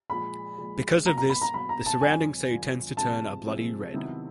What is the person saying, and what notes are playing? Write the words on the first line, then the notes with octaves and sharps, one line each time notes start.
Because of this, the surrounding sea tends to turn a bloody red.
A#2 F3 G#3 B5
A#2 F3 G#3
B2 F#3 A#3 A#5
A#5
B5
A#5
B2 F#3 A#3 B5
A#5
A5
F2 D3 G3 C4 F4 G#5
F2 D3 G3 C4 F4
C3 F3 G#3 C4 A5
C3 F3 G#3 C4
C3 D#3 F#3 B3 E4